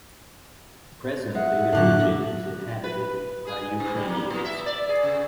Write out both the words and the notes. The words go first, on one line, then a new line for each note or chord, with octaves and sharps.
Presently, the region is inhabited by Ukrainians.
G#3 E5 F#5
A2 D3 F#3 F#6
B4
G#4
G2
G3
A#3
A#2
E5
D5
G#4
C#3